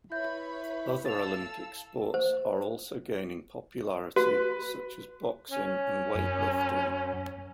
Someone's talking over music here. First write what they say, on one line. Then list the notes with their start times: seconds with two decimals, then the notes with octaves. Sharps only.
Other Olympic sports are also gaining popularity, such as boxing and weightlifting.
0.12 E4 B4 C#5 E5 B5 G6
1.05 A4 F5 E6 A6 F7
2.14 C5
4.16 F#4 B4
5.51 C#4
6.15 F#2